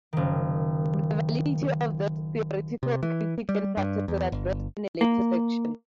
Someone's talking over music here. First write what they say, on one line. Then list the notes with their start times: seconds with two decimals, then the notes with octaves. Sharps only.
The validity of this theoretical critique in practice is addressed in a later section.
0.13 F#1 D#3
2.83 C3
3.03 E3
3.49 G3
3.77 G2
4.08 E2
4.32 G1
5.01 A#3